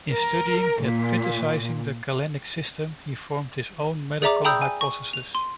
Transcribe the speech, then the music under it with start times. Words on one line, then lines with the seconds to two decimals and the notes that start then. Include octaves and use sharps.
In studying yet criticizing the Galenic system, he formed his own medical hypotheses.
0.11 A#4
0.83 A#2
4.22 G#4 D5 E5 A#5 D6
4.45 G5 A#5 B5 D#6 E6 G6
4.62 G#5
4.81 C#6
5.13 F7
5.35 C6